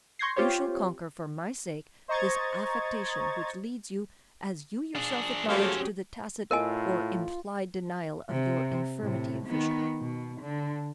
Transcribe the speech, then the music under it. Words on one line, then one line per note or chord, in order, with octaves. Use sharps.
You shall conquer, for my sake, this affectation which leads you, as you yourself acknowledge, to the tacit or implied denial of your infirmity of vision.
C6 C#6 G6 G#6 A#6 C7
C4 F4 G4 C5 C#5
C5 D#5 A#5 C#6 G#6 A6
D4 G#4
F#3 A3 A#3 C#4 G4 G#4 C5
A2 F4 A#4 D#5 G#5
C3
A2 C3
D#3 B3
B2
D3